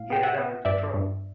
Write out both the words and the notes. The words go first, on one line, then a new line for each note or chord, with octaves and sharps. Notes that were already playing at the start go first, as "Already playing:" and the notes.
get it under control.
Already playing: A2 F5
B3 G5
E5 F#5
B3
G2 D5 E5
G2